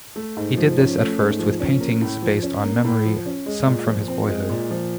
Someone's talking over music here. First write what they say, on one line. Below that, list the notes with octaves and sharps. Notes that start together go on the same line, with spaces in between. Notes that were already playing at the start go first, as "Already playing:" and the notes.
He did this at first with paintings based on memory, some from his boyhood.
A3
G#2
F3
C#4
A3
G#2
F3
C#4
A#3
A2
F3
C#4
A#3
A2
F3
C#4
G#3
A#2
F3
C4
G#3
A#2
F3